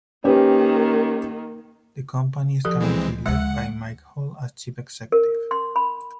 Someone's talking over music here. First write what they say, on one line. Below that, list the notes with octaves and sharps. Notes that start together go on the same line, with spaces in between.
The company is currently led by Mike Hall as Chief Executive.
D#3 A#3 C#4 G4 B4
D2 F3 G4 A4
E3 G#3 C4
D2 D3 G#3 E5 F#5
A#4
C6
B5